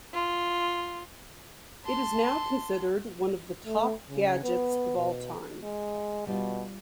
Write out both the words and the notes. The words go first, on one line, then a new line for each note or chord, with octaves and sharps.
It is now considered one of the top gadgets of all time.
F4
A5 C6
A3
C#3
B3
B2
G#3
B2 G3 F4